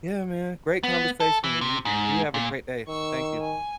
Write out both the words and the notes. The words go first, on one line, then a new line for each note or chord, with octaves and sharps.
Yeah, man, great conversation, you you have a great day. Thank you.
B3
A4
E3
C3
G#2
A#2
D#3 C#6 E6
G#5